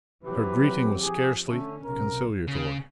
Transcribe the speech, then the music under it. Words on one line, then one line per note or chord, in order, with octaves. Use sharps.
Her greeting was scarcely conciliatory.
E3 F#3 C4 G4 B4
F3 G#4
D3 A3 C#4
B1 C3 A#4
C#3